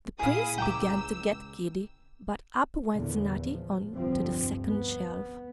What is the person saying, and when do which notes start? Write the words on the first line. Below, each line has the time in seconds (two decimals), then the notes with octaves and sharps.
The Prince began to get giddy, but up went Snati on to the second shelf.
0.19 A#2 E4 G#4 F5 D#6
0.58 C#2 G5 A#5 D6 E6
2.91 E2 A#2 D3
3.39 F3
3.93 F1 D2 G2 F3 C4
4.65 B3